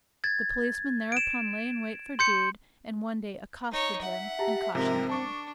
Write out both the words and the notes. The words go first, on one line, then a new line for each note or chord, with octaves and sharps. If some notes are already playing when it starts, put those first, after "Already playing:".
The policeman thereupon lay in wait for Jude, and one day accosted him and cautioned him.
G#6 A6
D7 E7
C6 G6 C#7
D#4 C#5
E5 F#5
G4 A5 A#5
G#2 C3 F3 C4 A#4
D4 A5 C#6 D6